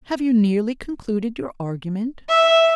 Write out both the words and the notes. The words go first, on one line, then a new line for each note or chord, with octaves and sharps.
"Have you nearly concluded your argument?"
E5